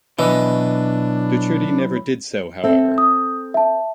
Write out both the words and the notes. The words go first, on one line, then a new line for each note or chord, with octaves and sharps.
Docherty never did so, however.
B2 E3 F#3 D4 E4 D#5
C4 A4 E5
D#6
E5 A5